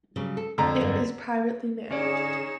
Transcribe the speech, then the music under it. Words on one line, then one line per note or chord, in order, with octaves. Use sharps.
It is privately managed.
C#3 F#3 G3
A4
F2 D3 A3 A#5
G2 F#3 A#3
D3 C#4 D#4 G#4 C#5 D5 E7